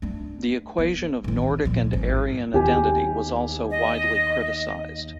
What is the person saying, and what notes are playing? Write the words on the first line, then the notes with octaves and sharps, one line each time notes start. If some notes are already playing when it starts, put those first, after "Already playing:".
The equation of Nordic and Aryan identity was also widely criticized.
A3 D4
B3
A1 D#3
A#2 F3
G#1
D#2 B3 G4 G#5
D#5